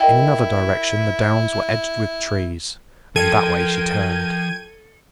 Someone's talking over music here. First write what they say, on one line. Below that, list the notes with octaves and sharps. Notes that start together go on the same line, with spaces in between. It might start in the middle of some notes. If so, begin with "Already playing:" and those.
In another direction the Downs were edged with trees, and that way she turned.
E4 A#4 D#5 G5
F3 F4 A4 A#4 G5 G#6 D#7